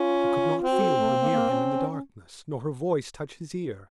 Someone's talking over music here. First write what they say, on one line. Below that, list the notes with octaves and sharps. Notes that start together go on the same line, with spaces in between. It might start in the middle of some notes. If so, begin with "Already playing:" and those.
He could not feel her near him in the darkness nor her voice touch his ear.
Already playing: C#4 F4
C4
F#4
A4
F#4
A3
A#3
A#3
A#3
C#4
C#4